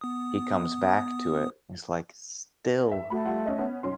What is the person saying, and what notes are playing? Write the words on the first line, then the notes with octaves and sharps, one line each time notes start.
he comes back to it. It's, like, still,
B3 D#6
E5
A3 F#4 B5
G3 F4 F#5
C#4 D#5
B3 C#4
B1 C#4 C6